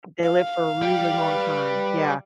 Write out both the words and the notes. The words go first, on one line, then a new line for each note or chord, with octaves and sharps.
they live for a really long time, yeah.
F5
G3 G5
B4